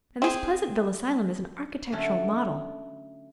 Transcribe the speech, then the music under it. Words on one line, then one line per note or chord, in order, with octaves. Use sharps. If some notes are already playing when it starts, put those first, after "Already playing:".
And this Pleasantville asylum is an architectural model.
C4 G#4
D3 F#3 A3 C#4